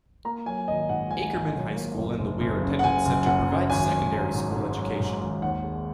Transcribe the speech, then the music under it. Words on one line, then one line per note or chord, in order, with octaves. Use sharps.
Ackerman High School and the Weir Attendance Center provide secondary school education.
A#3 A#5
F#3 G#5
G#1 D#5
G#2 F#5
G#1 G#5
G#1
F#3
A#3
F#1
F#1
F#1
C#3
F#5
F#1 G#5
F#1
F#2 F#5
F#2
G#1 G#5
G#1
F#3
G#2
G#2
F#3
G#2
G#1
D#2 F#5
G#3